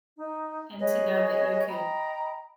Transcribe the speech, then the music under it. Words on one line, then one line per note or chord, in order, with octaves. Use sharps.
and to know that you could
D#4
G#4 B4 C#5 D#5
D#5 G5 A#5 B5